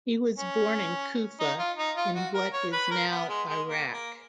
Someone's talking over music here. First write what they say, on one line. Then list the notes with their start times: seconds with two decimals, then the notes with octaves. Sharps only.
He was born in Kufa in what is now Iraq.
0.38 C#4
1.40 D#4
1.59 F4
1.78 D#4
1.97 F4
2.15 F#4
2.34 A#4
2.53 C#5
2.73 B4
2.91 A#4
3.11 B3
3.29 G#3
3.48 G#3
3.67 A#3
3.93 A#3